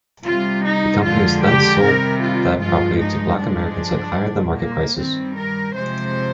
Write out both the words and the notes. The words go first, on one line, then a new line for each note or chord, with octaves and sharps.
The companies then sold that property to black Americans at higher-than-market prices.
C3 G3 F4
D#4
F2 D3 F3 G#3 F4
G4
C3 D#3 G3 A#4
F4
G2 F3 G#3 F4
D#4
G2 F3 G#3 D4
A#2 G3
A#3
G2 D#3 G3 C4
A#4
C3 F3 G#3 C5